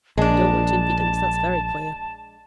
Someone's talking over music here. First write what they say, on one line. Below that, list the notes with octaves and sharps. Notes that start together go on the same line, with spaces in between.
You don't want impudence, that's very clear.'
A#1 G#3 D4 A5